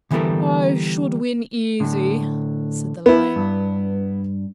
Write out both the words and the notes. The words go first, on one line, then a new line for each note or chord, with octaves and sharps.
'I should win easy,' said the Lion.
D3 E3 G3 B3 A4 A#4
A2 D3
B3 E4
G2